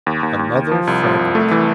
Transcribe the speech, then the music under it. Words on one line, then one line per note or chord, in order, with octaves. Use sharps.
Another fragment.
D#2
D#2
D#2
D#2
F3
C2
F3
C2
A3
E3